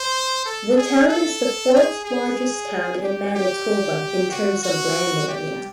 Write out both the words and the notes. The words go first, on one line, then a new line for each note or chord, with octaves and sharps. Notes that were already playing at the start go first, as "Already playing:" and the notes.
The town is the fourth-largest town in Manitoba in terms of land area.
Already playing: C5
A4
G#4
A4
G#4
G#4
G4
G4
F#4
F#4
G4